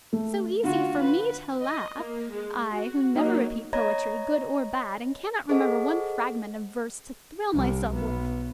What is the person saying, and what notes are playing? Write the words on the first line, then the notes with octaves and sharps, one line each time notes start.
So easy for me to laugh--I, who never repeat poetry, good or bad, and cannot remember one fragment of verse to thrill myself with.
A3
D3 F4 F#4
B4
D#5
A#3
G#3
F#4
F#3 A#3 D#4 D#5
C#5 D#5 A#5 B5 G#6 A#6
G#4 A4 C5 D#5 F#5
C2 G3
B1 B3